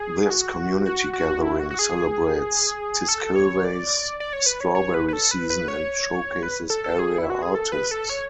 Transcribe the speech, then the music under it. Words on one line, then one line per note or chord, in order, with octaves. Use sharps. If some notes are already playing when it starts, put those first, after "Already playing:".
This community gathering celebrates Tiskilwa's strawberry season and showcases area artists.
Already playing: G#4
F#4
F#4
F#4
E4
F#4
F#4
G#4
A4
C#5
D5
D5
C#5
B4
C#5
C#5
B4
B4
A4
B4
B4
C#5
B4
A4
A4
G#4
E4
F#4
G#4
A4
B4
A4
C#5